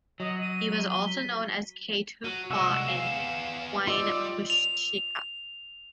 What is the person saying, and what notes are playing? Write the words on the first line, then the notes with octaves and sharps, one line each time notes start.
He was also known as Keigh-tugh-qua and Wynepuechsika.
F#3 D#5
D#7
G7
B6
F#3 D#7
C2 G#3 F#4 E6 E7
B3 G#4 F5
G3 F4 D#5 D6 E6
F7